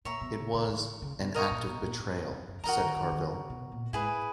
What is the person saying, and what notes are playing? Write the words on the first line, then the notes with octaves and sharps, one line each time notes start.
It was "an act of betrayal," said Carville.
A#2 C#5 E5 A#5
B2
C#3
C#3
E3
C#3
B2
B2 A#4 D#5 A#5 C#6
A#2
B2
A#2
G#2
E2
F#2
F#2
E3 F#4 A#4 D#5 A#5
D#3
D#3
D#3
C#3
B2
A#2
G#2 E4 G#4 B4